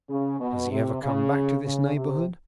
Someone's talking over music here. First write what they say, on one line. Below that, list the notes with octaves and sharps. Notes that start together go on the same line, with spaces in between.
"Does he ever come back to this neighborhood?"
C#3
B2
C3
C#3
C#3
C3